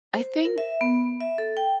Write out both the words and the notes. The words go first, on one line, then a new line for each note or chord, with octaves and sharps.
I think
C5
A#4
E5
B3
E5
A4
G5